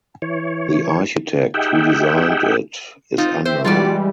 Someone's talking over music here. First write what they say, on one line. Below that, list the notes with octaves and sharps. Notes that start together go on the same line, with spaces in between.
The architect who designed it is unknown.
E3 C#5
D#4 G4 G#4 E5 F#5 G5
C4 D#4 F4
C4 C5 E5
E3 G3 G#3 F4 F#4 D5